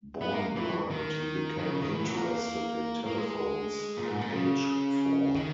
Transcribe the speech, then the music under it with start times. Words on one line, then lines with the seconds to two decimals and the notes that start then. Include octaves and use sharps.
Born blind, he became interested in telephones at age four.
0.21 B3
0.33 A#3
0.56 E3
0.90 D#3
1.58 D#3
1.70 C#3
1.82 D#3
1.93 E3
2.03 F#3
2.15 A#3
3.06 A#3
3.18 G#3
3.97 A#2
4.10 G#2
4.21 A#2
4.33 C#3
5.35 D#3